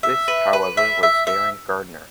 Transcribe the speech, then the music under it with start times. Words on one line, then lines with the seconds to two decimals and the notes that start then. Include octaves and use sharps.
This, however, was Darren Gardner.
0.03 E5
0.28 B4
0.53 B4
0.77 E5
1.03 E5
1.27 E5